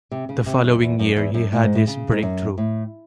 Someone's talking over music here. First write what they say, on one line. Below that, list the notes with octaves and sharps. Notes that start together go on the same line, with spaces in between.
The following year he had his breakthrough.
C3
C#3
C3
F#2
E2
F#2
E2
F#2
A2
G#2
A2
C#3
G#2
F#2
A2